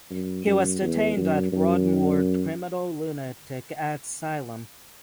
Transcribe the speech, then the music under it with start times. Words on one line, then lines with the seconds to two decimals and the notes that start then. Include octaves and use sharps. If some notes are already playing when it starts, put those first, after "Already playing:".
He was detained at Broadmoor Criminal Lunatic Asylum.
0.10 F#2
0.46 F#2
0.81 E2
1.17 F#2
1.52 F#2